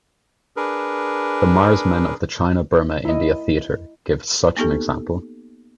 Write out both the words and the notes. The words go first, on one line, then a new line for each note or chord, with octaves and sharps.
The Mars Men of the China Burma India Theater give such an example.
D4 G#4 A#4 B4
E4 D#5
A#3 B3 D#4 G4 A4